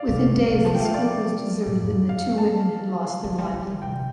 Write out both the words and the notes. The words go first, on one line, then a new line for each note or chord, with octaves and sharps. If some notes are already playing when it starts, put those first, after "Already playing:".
Within days the school was deserted and the two women had lost their livelihood.
Already playing: D5 F5
C3
A2
C3
F3 A5
G5
A3
F5
D5
G3
A2
F2
F5
A5
D3
G3
G3
F3
C3 G5